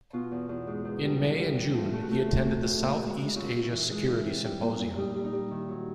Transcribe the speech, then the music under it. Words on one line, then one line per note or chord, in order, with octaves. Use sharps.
In May and June, he attended the South East Asia Security Symposium.
B2 F4
E2
E2
G#2
G#2
G3
E3
G3
E3
A3 F4
A3
F#4
A3
A2
A3
A2
A#2
G#3
G#3
F#2 F4
F#2
E4
E3
G#3 E4
E3
C3
G3
A#2
A#2
G3 D#4
G3
D#4
G3
D#3 E4
F#3